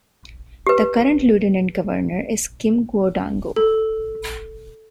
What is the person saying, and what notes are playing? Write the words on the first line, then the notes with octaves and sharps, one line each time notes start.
The Current Lieutenant Governor is Kim Guadagno.
G4 B4
A4